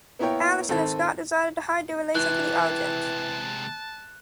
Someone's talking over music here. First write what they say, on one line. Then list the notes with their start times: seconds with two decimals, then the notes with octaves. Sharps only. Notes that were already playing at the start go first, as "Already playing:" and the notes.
Allison and Scott decided to hide their relation to the Argent.
0.19 A#3 B3 E4 A#4 C#5 G5
0.69 G#1 C4 A4
2.15 C3 E3 G#3 A5 F#6